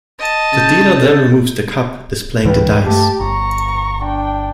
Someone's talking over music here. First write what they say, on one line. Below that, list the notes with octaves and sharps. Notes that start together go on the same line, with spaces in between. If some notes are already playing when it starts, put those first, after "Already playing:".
The dealer then removes the cup, displaying the dice.
D#5 A5
C#3 G6 A6
A4
C#2 E3 F3 B4 G5
G2 A3 G4 A5
G1 A#5 C#6
D4 G5